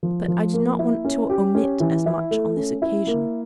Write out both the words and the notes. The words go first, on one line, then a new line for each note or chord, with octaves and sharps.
But I did not want to omit as much on this occasion.
F3
F3
A#3
E4
C#4
G4
C#4
E3
E4
A3
C#4
E4
A#3